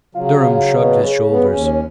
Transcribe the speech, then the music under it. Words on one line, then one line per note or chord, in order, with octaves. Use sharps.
Durham shrugged his shoulders.
C#3 F#3 F4
B2
C#3
B3
D#2 C#4